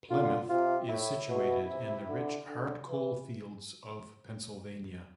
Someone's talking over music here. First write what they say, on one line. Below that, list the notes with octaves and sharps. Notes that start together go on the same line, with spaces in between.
Plymouth is situated in the rich hard coal fields of Pennsylvania.
D3 F4
C3 F4
A2 E4
B2
C3
D3
D3
E3